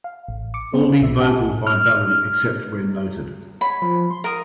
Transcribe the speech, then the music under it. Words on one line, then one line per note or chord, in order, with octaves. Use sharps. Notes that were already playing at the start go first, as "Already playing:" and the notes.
All lead vocals by Balin except where noted.
F5
A1
D6 C#7
B3 C5
B1 A#2 E5
G4 D#5 E5 F#5 G#5 A5
F6
C#5 B5
F3
C6
A#4 F5 D#6